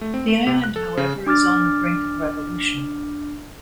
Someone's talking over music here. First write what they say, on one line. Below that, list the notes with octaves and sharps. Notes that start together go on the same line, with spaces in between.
The island, however, is on the brink of revolution.
A3
C4
A3
C3
F#6
A4
C#3
D4 D6 F6 A6